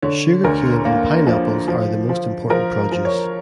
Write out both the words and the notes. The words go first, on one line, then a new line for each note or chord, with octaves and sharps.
Sugar cane and pineapples are the most important produce.
D3 C#5
D2 A#4
A#3
F3
F3
F3
F3 A#4
F3
C#5